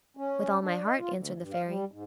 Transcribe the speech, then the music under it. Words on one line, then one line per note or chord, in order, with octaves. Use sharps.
"With all my heart," answered the Fairy.
C#4
D4
D#5
F4
D2
G2
F5
G3
G#2